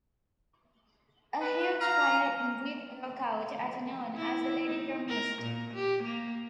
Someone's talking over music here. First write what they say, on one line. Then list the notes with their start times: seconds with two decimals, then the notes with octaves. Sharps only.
A huge fire indeed broke out at noon as the lady promised.
1.42 B4
1.81 F5 A#5
4.17 E4
4.66 D#4
5.09 A#4
5.43 A#2
5.74 G4
6.04 A#3